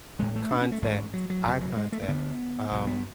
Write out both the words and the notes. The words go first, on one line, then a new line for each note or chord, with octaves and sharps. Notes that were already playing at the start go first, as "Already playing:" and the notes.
contacts eye contacts, um
A1 A2 G#3
A3
D4
C#4
A3
A1 G#2 A3
F#3
F#3
F1 F2 C#3 F#3
F#3
G#3
A3
A3
D2 D3 B3
B1 B2
B3